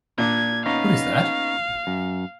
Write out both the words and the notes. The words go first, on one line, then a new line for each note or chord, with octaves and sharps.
What is that?
A#2 D4 G#6
B3 C#4 D#4 F5
F#2